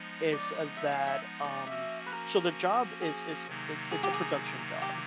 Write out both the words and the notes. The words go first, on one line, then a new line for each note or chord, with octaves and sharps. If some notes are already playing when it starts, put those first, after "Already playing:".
is, uh, that, um so the job is is it's it's a production job,
Already playing: F3 G#3 B3 D#4
D5
D#5
E5
E5
F5
E5
D5
F3 A#3 C#4 F#4 E5
B4
A#4
G#4
C3 D#3 F#3 A#3 D#4
G#4
G4
G#4
G4